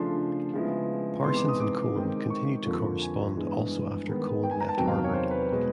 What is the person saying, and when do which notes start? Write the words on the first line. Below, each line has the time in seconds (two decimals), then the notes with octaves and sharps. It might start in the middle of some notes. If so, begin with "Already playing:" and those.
Parsons and Cohen continued to correspond also after Cohen left Harvard.
Already playing: C#3 F3 A3 D4 C6
0.53 C#3 F3 G#3 B3 E4
1.24 C3 E3 G#3 B3 D#4 C6
1.36 D6
1.48 D#6
1.60 D6
1.95 D#3 G#3 C4
2.30 C#6
2.66 F2 D3 F3 A#3
3.02 G#5
3.36 G2 E3 G#3 B3 D4
4.07 D#3 G#3 B3
4.43 G5
4.51 G#5
4.61 A#5
4.69 A5
4.77 E2 C3 D#3 F#3 G5
4.87 F5
5.04 C#5
5.13 C5
5.31 B4
5.51 B2 G#3